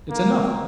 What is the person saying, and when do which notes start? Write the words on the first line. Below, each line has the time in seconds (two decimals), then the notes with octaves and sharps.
It's enough.
0.10 A#3